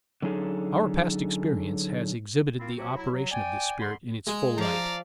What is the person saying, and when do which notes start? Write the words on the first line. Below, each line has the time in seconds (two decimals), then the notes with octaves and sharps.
Our past experience has exhibited the operation of this spirit in its full light.
0.22 D3 F#3 C#4 D#4 G#4 A4
2.59 A#3 C4 E4 F4
2.77 F3 F#3 A#3 C4 F#4 G4
2.96 F#3 E4
3.12 F#3
3.31 D5 G5 G#5
3.80 D3 B5 C6
4.27 G#3
4.58 F3 D5 F5 A#5